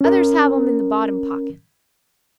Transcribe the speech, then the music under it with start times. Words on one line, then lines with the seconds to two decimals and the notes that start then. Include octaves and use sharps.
Others have 'em in the bottom pocket.
0.01 C#4 A#4